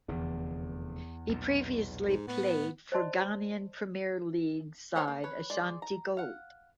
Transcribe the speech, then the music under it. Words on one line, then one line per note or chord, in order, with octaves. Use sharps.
He previously played for Ghanaian Premier League side Ashanti Gold.
F1 E2 D3
B1 A#2
G#2
A2 B3
C5 D5 D#5 A5 C6
G4 C5 C#5 F#5 G#5
A#3
B4 C#5
G#3 D5
A#5
F5 F#5